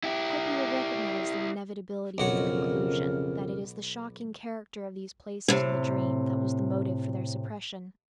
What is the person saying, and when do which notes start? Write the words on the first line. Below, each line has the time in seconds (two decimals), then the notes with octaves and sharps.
I hope you will recognize the inevitability of the conclusion that it is the shocking character of these places in the dream that was the motive for their suppression.
0.04 E4 G4
2.18 B1 F2 C#3 F#4 A#4 C#5
5.48 A2 C3